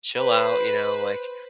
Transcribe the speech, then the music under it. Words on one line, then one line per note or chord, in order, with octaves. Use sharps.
chill out," you know, like,
B4 C5